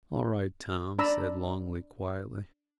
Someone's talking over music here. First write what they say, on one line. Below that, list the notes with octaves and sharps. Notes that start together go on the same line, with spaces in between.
"All right, Tom," said Longley quietly.
D4 D5 A#5 B5 E6